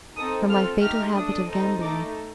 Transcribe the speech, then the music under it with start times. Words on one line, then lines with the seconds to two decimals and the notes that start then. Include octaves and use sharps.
From my fatal habit of gambling.
0.16 C4 D#4 A4 D#6
0.49 C4 F4 A4 F6
0.82 A3 D#4 G4 F6
1.15 D4 A4 D#6
1.48 C4 D#4 A4
1.81 A3 D#4 A4 D6